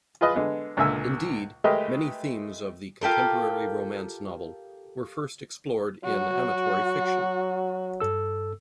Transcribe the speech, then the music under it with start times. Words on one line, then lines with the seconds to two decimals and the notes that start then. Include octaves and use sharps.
Indeed, many themes of the contemporary romance novel were first explored in amatory fiction.
0.21 F4 G#4 B4 D#5
0.35 D3 G#3 B3
0.77 C#2 A#2 D3 E5 G#5 E6
1.64 G#3 A3 G4 A#4 B4 D#5
3.01 F4 G4 A4 A#4
6.05 F#3 F#4
8.00 G2 A4 E6